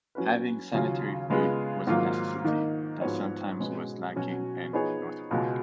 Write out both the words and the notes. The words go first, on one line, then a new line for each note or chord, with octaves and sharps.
Having sanitary food was a necessity that sometimes was lacking in Northport.
F#3 C#4 F#4 B4
D#2 C#3 F#3 C#4 F4
C#3 G#3 B3 F4 G#4
G#2 D#3 F#3 A#3 F4
D#3 A#3 D#4
G#2 F3 B3 F#4 C#5
B2 G#3 C#4 G#4 B4
B2 F#3 C#4 F#4
F3 B3 D#4 G#4 C#5
C#2 B2 G#3